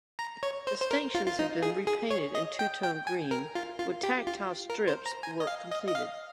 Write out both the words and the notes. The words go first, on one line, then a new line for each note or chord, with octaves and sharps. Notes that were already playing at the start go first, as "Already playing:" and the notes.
The stanchions have been repainted in two-tone green with tactile strips work completed.
A#5
C#5
C5
C5
A#4
F4
F4
D#4
G#4
G#4
C#5
D#5
G5
G5
G#5
A#4
F4
F4
G4
F4
A#4
C5
A#5
G#5
D#5
F5
D#5
D#5
F5